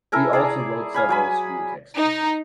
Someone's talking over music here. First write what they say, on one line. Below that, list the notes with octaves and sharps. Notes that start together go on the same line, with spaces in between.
He also wrote several school textbooks.
E4 A4 A#4 G#5
G#4 D5 A5 A#5
F5 G#5 B5
F#3 G#5 B5
D#4